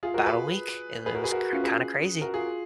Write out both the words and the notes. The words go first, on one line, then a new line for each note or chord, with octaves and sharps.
'bout a week, it it was k kinda crazy.
F4 G#4
F#4 A#4
G#4 B4
G#4 B4
F#4 A#4
G#4 B4
F#4 A#4
C#4 F4
G#4 B4
F#4 A#4
F4 G#4